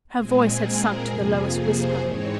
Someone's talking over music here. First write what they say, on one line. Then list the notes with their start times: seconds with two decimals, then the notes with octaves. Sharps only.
Her voice had sunk to the lowest whisper.
0.14 A#2 G#3 C4 G#4
0.61 A#4
1.06 F2 C3 F3 A#3 G#4
1.52 C5
1.98 G#2 E3 G#3 C4 C#5